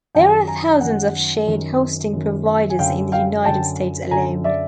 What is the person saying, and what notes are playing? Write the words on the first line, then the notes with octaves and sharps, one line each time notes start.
There are thousands of shared hosting providers in the United States alone.
F#2 D#3 G5 A5
G#5 A#5
F#2 D#3 F#5 G#5
F#2 D#3
F#2 D#3
G#5
F#2 D3 F5 G5
F5 G5
F#2 D3 G5 A5
F#2 D3 G#5 A#5
D5 E5